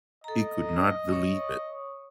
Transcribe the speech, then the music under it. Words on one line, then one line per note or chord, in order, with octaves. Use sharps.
He could not believe it.
A4 D#5 A#5
C#5 C#6 D#6